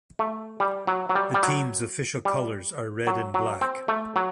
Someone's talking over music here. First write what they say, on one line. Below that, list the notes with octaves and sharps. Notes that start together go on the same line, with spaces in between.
The team's official colors are red and black.
A3
G3
F#3
F#3
G3
G3
F#3
G3
F#3
F#3
C4
A3
F#3